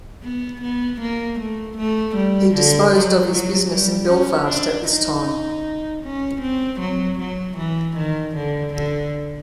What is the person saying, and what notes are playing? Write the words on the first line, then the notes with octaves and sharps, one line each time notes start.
He disposed of his business in Belfast at this time.
B3
B3
A#3
A3
A3
G3
D3
F#3
F#3
G3
C#4
D4
D#4
C#4
C4
F#3
F#3
E3
D#3
D3
D3